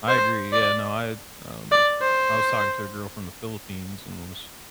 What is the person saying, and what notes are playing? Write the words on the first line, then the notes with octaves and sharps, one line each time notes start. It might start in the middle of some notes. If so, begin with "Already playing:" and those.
I agree, yeah, no, I, um I was talking to a girl from the Philippines and I was
C5
D5
D5
C5